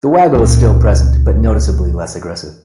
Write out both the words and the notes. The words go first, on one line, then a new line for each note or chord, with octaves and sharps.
The waggle is still present, but noticeably less aggressive.
C#2 A#2